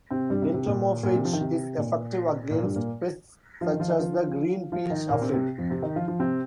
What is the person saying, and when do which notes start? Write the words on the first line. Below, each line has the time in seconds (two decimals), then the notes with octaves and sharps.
"Entomophaga" is effective against pests such as the green peach aphid.
0.11 C3 C4
0.30 G2 G3
0.42 C3
0.54 C3
0.67 A#2
1.03 A#2
1.15 C3
1.25 F3
1.33 D#3
1.41 C3
1.77 A#2
2.51 A#2 A#3
2.63 G2 G3
2.76 A#2 A#3
3.61 F3 F4
3.71 D#3 D#4
3.80 F3 F4
3.89 D#3 D#4
3.99 F3 F4
4.72 F3 F4
4.90 D#3 D#4
5.09 A#2 A#3
5.21 C3 C4
5.33 C3
5.58 F2 F3
5.70 C3 C4
5.82 D#3 D#4
5.96 F3 F4
6.08 F3 F4
6.19 C3 C4